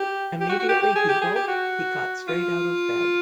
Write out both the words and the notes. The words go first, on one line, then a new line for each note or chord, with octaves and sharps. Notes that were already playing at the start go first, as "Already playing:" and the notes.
Immediately he woke he got straight out of bed.
Already playing: G4
G4
F#4
F#4
G4
G4
G#4
G4
G#4
G4
F#4
F4